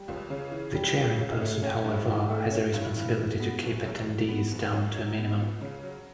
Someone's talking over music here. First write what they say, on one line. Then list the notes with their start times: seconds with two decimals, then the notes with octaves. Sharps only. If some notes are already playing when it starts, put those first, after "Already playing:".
The chairing person, however, has a responsibility to keep attendees down to a minimum.
Already playing: G3
0.08 C#2
0.30 C#3
0.52 E3
0.75 G3
0.97 C#2
1.19 C#3
1.41 A3
1.63 C#4
1.84 G2
2.07 E3
2.30 A3
2.51 C#4
2.73 G2
2.96 E3
3.18 E3
3.40 B3
3.63 F#1
3.85 F#2
4.06 E3
4.29 B3
4.51 F#1
4.73 F#2
4.96 F#3
5.18 B3
5.40 C#2
5.61 C#3
5.83 F#3